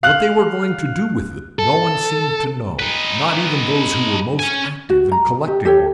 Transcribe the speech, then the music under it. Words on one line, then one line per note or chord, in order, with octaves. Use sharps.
What they were going to do with it no one seemed to know, not even those who were most active in collecting work.
F5 F#6 F#7
A4
D#4 B4
C#4 G#5
F#4
A#5
G4
G4 A4 C#5